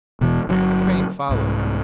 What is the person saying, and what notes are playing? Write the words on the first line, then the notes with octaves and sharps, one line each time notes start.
Crane followed.
E1 B2 E3
G1 D3 F#3
C2 G#2